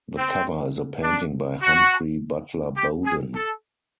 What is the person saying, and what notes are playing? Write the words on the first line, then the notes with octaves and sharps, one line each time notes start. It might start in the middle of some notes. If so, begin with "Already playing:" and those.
The cover is a painting by Humphrey Butler-Bowden.
C4
D4
F#4
G4
G#4
A4